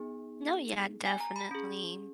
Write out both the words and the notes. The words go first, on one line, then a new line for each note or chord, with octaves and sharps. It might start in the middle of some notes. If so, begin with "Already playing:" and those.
No, yeah, definitely.
Already playing: B3 D#4 G#4
G#5
A#5
B5
C#4 G#4